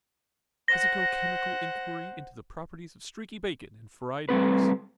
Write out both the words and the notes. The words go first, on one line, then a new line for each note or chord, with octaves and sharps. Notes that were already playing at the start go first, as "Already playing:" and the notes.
A physico-chemical inquiry into the properties of streaky bacon and fried eggs.
C5 F#5 A#6
G3 A3 C4 B4